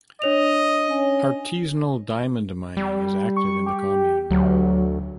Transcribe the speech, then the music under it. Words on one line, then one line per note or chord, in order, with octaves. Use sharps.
Artisanal diamond mining is active in the commune.
D4 C#5 D#5 F7
C#4
G3
C#6
G4
D2 F#3